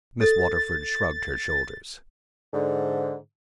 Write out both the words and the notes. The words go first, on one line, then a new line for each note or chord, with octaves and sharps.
Miss Waterford shrugged her shoulders.
A4 A6
G#2 D3